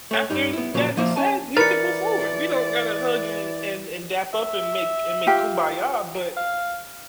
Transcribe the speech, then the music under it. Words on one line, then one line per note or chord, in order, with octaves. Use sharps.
after that is said, we can move forward. We don't gotta hug and, and and dap up and make and make kumbaya, but
A3 C#5
G2 G3 D#4
B3 E4
A#2 C#3 F3 F#3 A#3
F3 A#3 C5 E5
C#4 G#5 A5
E3 A#4 B4 D5 A6 C#7
E5
F4 G4 G5
F5